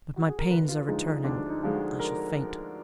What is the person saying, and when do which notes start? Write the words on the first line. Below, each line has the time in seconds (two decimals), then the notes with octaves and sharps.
But my pains are returning, I shall faint.
0.16 F#4
0.28 G#4
0.39 A#4
0.50 D2 B4
0.69 F4
0.88 D3 F3 G#3 D#4
1.24 D2 D4
1.50 D#4
1.63 D3 F3 G#3 F4
1.74 F#4
2.00 A#4